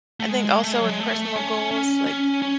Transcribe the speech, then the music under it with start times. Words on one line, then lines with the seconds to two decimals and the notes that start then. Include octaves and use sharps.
I think also with personal goals, like
0.20 A3
0.28 G#3
0.64 A3
0.72 G#3
0.81 F#3
0.89 G#3
1.00 A3
1.36 C#4
1.71 C#4
2.06 C#4
2.42 C#4